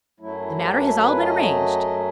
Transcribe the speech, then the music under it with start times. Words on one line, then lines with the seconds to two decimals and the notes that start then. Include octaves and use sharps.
The matter has all been arranged.
0.20 F#2 F#3 A3 E4
0.40 E4
0.61 G4
0.76 B4
0.82 A4
1.02 B4
1.22 D#5